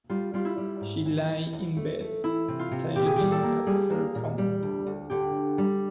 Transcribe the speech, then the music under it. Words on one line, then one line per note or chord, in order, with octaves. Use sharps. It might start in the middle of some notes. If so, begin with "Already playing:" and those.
She lay in bed, staring at her phone.
G3 F4
G3 F4
E4
G3
G#2
E3
E3
E2
A3
A3
E3 E4
C3
F4
C3
A#2 G4
G#4
G3 G4
A4
A#3
G3 G#4
A#3
A#2
G3
D2
D2
D3 G4
D2
G3